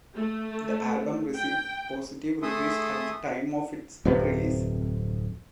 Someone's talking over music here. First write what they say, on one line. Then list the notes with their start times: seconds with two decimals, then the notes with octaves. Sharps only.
The album received positive reviews at the time of its release.
0.16 A3
1.36 G5
2.42 A3 G#4 A4 E5 C6 D#6
4.05 D1 F2 C3 B3